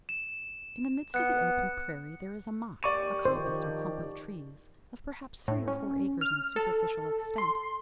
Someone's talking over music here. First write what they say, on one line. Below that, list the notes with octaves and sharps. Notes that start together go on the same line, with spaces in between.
In the midst of the open, prairie there is a "motte"--a coppice, or clump of trees--of perhaps three or four acres in superficial extent.
E7
B3 F#6 C#7
D#2 G4 D5 C#6 D#7
D#3 F3 C5
A2
C#4
F6
A4
C6